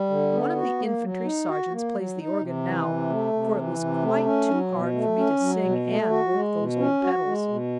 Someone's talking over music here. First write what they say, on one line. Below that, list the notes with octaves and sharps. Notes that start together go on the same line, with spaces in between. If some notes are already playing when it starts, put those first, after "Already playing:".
One of the infantry sergeants plays the organ now, for it was quite too hard for me to sing and work those old pedals.
Already playing: G3
D3
B3
F#4
A#3
F#3
D#4
F#4
A#3
F#3
D#4
C3
E3
C3
A3
C3
E3
C3
A3
C#4
F#3
B2
A3
C#4
F#3
B2
A3
F#4
G#3
B2
C#4
F#4
G#3
B2